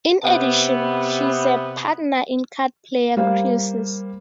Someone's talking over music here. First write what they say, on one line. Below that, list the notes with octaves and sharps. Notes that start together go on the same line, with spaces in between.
In addition, she is a partner in Card Player Cruises.
C3 B3
G3 A#3 C5 F5